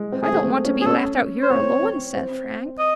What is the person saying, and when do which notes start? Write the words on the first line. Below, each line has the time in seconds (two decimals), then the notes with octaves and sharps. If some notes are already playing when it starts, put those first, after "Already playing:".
"I don't want to be left out here alone," said Frank.
Already playing: G#3
0.12 C4
0.22 A3 G#4
0.33 A3
0.44 C4
0.65 C#4
0.81 G#4
0.86 C#4 A4
1.43 C5
1.50 C4 C#5
1.83 C4
2.15 C4
2.79 D#5